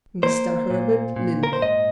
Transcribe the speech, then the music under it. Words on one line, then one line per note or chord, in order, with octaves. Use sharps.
Mr. Herbert Linley.
A#3 C5
A#2
A#2
A#4
C5
G#2 D#5